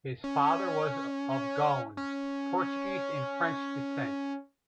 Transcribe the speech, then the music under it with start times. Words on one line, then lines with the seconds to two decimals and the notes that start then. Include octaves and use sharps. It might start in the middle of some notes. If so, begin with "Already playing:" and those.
His father was of Goan, Portuguese and French descent.
0.24 C#4
1.97 C#4